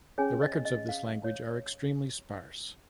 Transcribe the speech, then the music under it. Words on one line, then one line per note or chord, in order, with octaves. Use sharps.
The records of this language are extremely sparse.
C#4 G#4 C#5 G#5
D#5
D#5
F5
C#5